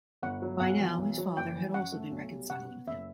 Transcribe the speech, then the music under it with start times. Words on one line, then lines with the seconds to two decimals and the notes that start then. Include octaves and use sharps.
By now his father had also been reconciled with him.
0.22 G1 F#5
0.42 F#3
0.60 B1 F#5
0.79 E3
0.98 B1
1.18 F#3
1.37 F#1 G5
1.55 E3
1.74 F#2 F#5
1.92 A3
2.11 B1
2.31 G3
2.50 F#2 F#5
2.68 B3
2.87 F#1 E5